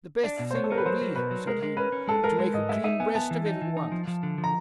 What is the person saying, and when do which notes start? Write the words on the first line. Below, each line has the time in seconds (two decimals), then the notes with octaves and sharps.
'The best thing will be,' said he, 'to make a clean breast of it at once.
0.24 D4 D5
0.39 B2
0.51 C5
0.55 B3 C#5
0.64 A4
0.70 B3 A#4
0.78 B4
0.86 F#3 C5
1.01 F#3
1.15 B2 B4
1.31 F#3
1.47 G#3 A#4
1.63 G#3
1.77 C#4 B4
1.92 C#4
2.07 G#3 A4
2.23 G#3 A#4
2.38 G#3 A#4
2.54 G#2 D#5
2.69 G#3 E5
2.84 D#4 E5
3.00 B3 G#5
3.15 B3 A5
3.31 E3
3.46 D#4
3.62 E3
3.77 D#4
3.92 F3
4.07 F3
4.23 D3
4.38 F3
4.44 A#5